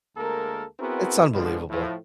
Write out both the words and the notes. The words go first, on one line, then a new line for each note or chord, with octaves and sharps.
It's unbelievable.
D2 G#3 A#3 A4 A#4
B3 C4 E4 F#4 G#4 A#4
B2 D3 F3 G#3
A2 F3